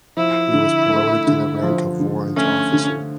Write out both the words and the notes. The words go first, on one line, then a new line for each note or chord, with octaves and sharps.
He was promoted to the rank of warrant officer.
F3 E4
D3
A3
D3
F3
D3
A3 C#4
D3